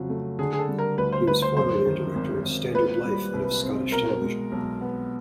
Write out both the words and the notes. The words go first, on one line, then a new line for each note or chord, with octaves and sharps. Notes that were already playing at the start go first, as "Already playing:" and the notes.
He was formerly a director of Standard Life and of Scottish Television.
Already playing: F2 C#3 F#3
A3
D3 G#4
G#4
A4
G3
A#4
D2 B4
C5
D2 B4
C5
F#2 C5
D#3
G#1
G#1
A#2 B4
G3
C2
C4
B2 A#4
G#3
B1
B3